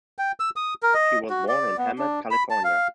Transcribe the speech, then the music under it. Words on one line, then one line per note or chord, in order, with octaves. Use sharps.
She was born in Hemet, California.
G5
E6
D#6
A#4
D#5
F#4
D5
B3
D4
B5
A5
F5